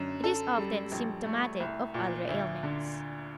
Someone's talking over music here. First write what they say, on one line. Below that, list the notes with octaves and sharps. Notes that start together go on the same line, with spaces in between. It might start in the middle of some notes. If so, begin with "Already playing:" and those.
It is often symptomatic of other ailments.
Already playing: F#2 D3
A4
G3
A#1
A3
C2
A#2
D2
D3